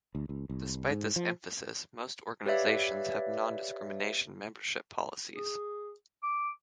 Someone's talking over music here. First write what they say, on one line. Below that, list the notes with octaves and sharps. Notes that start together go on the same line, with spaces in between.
Despite this emphasis, most organizations have non-discrimination membership policies.
D2
C#2
C2
G#2
F3
G4 B4 C#5 D5 E5 F5
G#4
D6